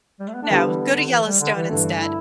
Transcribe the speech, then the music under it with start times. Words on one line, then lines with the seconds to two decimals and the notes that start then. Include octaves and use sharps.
No, go to Yellowstone instead.
0.20 G3
0.28 A3
0.34 B3
0.42 D4
0.50 D3 G3 B3 E4 G4 B4
0.65 E3
0.95 D3
1.09 E3
1.25 G3
1.40 D3
1.55 E3
1.69 G2 D3 E3 A3
1.99 E4